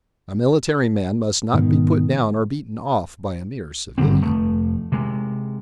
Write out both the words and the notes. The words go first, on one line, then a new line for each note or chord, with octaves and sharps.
A military man must not be put down or beaten off by a mere civilian.
G#2 B2 D#3
G#1 G2 D3 C4
F1 A3
C3 G#3